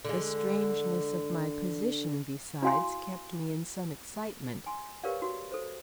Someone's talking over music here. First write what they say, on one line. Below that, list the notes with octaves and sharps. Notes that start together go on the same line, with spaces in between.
The strangeness of my position, besides, kept me in some excitement.
D3 G#3
E4 F#4 F5 G#5 C6
G#5 C6
G4 A#4 B4 C#5 D5 F5
F#4
A4 C5